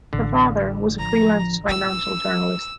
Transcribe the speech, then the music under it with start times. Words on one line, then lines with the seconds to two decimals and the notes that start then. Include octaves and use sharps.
Her father was a freelance financial journalist.
0.13 A1 D3
0.99 F3 A#5
1.68 C#4 E6